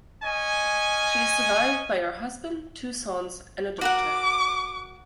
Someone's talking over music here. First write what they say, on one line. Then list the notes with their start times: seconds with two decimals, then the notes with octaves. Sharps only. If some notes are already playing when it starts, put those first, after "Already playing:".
She is survived by her husband, two sons and a daughter.
0.23 C#4 D#5 G#5
3.81 F#4 A#4 F#5 D6